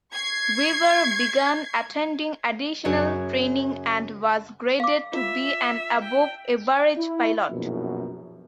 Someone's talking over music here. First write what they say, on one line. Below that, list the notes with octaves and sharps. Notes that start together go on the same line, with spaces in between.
Weaver began attending additional training and was graded to be an above average pilot.
C#6 G#6 C7
F#2 C#3 F#4 C#5
F5 D6
F4 E5
G5
E4
A#1 F#2 B2